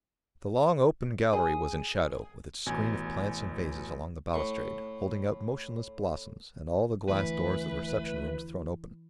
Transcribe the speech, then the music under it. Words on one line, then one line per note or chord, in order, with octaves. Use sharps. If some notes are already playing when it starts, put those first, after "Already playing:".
The long open gallery was in shadow, with its screen of plants in vases along the balustrade, holding out motionless blossoms, and all the glass doors of the reception-rooms thrown open.
G#4
A1 B2 G#5 G#6
A2 C#6
D2 E3 A3 B4 E5